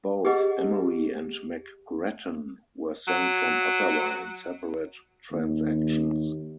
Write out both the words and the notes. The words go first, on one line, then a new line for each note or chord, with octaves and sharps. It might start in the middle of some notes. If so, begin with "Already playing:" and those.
Both Emery and McGrattan were sent from Ottawa in separate transactions.
G4 G#4 B4 D#5 F#5
F#3
D#2